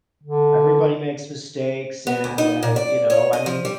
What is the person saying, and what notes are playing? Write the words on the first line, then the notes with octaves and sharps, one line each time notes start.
everybody makes mistakes and, uh, you know, I mean,
D3
B3
D2
D#4
A#2
D5
C#5
D#5
F3
G3